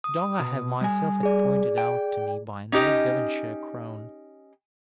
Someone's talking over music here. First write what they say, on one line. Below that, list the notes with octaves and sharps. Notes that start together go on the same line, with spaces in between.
The dog I have myself had pointed out to me by an old Devonshire crone.
D#6
B2
G3 G#5
G#4 D5
G5
C#4 D#4 G4 D#5